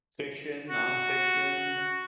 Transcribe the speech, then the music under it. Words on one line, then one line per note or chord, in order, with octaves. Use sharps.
Fiction, nonfiction?
F#4